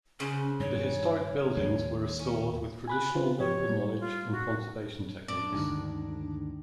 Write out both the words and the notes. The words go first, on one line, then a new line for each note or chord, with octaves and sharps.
The historic buildings were restored with traditional local knowledge and conservation techniques.
C#3 C#4 B4 C5
G2 D#3 C#5
D#2 G#3 A#3
C#4
G#5 B5 F#6
F4 B4 C5
G#2 F3 G4 C#5
G3
F4
F#4
D4
D2 G2 D3 D#3 G#3 D#4